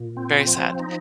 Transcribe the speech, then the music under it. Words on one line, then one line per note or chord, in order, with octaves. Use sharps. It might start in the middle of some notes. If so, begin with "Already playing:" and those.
very sad.
Already playing: A#2
C4
F3
D#4